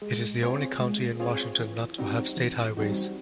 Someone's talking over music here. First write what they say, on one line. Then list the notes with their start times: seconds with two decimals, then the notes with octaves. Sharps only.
It is the only county in Washington not to have state highways.
0.02 G#3
0.42 C4 F4 G#4 C#5
0.80 G#3
1.20 C4 F4 G#4 C#5
1.59 E3
1.98 G3 C4 D#4 F#4
2.37 E3
2.77 G3 C4 D#4 F#4